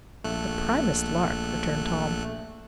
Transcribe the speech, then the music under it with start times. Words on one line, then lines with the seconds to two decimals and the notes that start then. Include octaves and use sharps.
"The primest lark," returned Tom.
0.24 A#1 A3 F#6